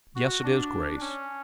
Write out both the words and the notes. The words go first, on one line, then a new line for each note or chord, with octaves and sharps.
Yes, it is, Grace.
F#4
D4
C#4